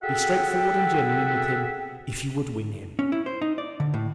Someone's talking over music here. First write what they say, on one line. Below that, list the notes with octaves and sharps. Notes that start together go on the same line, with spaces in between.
Be straightforward and genuine with him if you would win him.
F#4 G#4 A4 E5 F#5 G5
C#4
E4
C5
D#4
D5
D3
A2